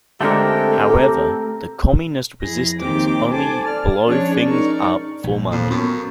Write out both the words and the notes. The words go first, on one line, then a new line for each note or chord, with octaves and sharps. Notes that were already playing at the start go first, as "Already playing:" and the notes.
However, the communist resistance only blow things up for money.
D3 G#3 A3 C4 D4 G4 A4 A#4
F2 E4 G#4 A#6
D#2 D#3 C4 G4 D6
A4 C5 G#5 A5 D6
D5 F6
F3 C#4 D4 G#4 C#5 D5
D#4 A#4 D5 C#6
A#1
F2 A#2
F#2 B3